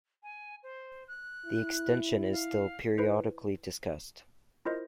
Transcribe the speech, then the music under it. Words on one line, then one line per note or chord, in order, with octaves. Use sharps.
The extension is still periodically discussed.
G#5
C5
F#6
E4
F5
E4 B4 C5
E4 F4 A#4 C5 D#5